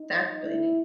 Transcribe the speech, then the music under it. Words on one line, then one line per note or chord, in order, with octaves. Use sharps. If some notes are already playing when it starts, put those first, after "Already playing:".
That's really neat.
Already playing: D#4
E4